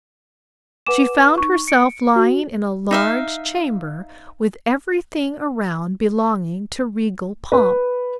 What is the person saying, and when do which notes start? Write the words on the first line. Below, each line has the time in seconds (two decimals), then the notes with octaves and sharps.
She found herself lying in a large chamber, with everything around belonging to regal pomp.
0.87 B4 F#5 G#5 D6 E7
1.38 D#4 C#6
1.68 C#7 D7
2.16 F#4
2.91 D#4 E5 F5
7.52 B4